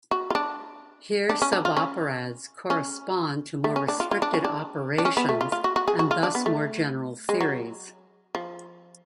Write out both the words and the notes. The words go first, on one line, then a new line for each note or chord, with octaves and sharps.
Here suboperads correspond to more restricted operations and thus more general theories.
F#4
F4
D4
D4
C#4
D4
F4
C#4
C#4
A3
C#4
D4
F4
F4
D4
C#4
D4
D4
C#4
B3
A3
F4
F4
F#4
F#4
G#4
F#4
F4
D4
B3
A3
G#3
F#3
F3